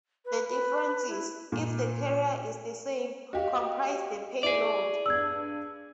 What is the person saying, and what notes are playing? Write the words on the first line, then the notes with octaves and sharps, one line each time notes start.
The differences, if the carrier is the same, comprise the payload.
B4
B4
E4
A#2
F#4 G4 D#5 F5
E4 G#4 D5
G2 D4 E6 G#6 F#7